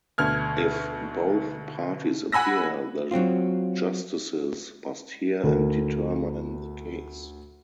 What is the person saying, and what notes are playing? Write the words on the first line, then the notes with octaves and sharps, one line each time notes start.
If both parties appear, the justices must hear and determine the case.
D2 B2 F6 G#6
F#5 G#5 B5 E6 A#6
F#3 C4 F4
D2 A4 A#4